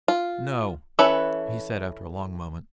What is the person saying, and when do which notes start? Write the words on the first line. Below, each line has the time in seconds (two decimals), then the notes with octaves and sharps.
"No," he said after a long moment.
0.08 F4
0.99 E3 C#4 A4 B4 E5